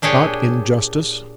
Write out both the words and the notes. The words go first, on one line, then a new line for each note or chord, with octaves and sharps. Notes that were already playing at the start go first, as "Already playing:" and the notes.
'Not in justice?'
A#2 D4 G4 G#4 C#5